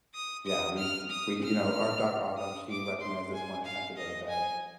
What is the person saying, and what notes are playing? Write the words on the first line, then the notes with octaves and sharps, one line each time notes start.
yeah, we we you know, our dog, Autumn, she recognizes when it's time to go to bed,
D#6
D#6
F6
D#6
F6
D#6
D6
C6
G#5
F5
D#5
G#5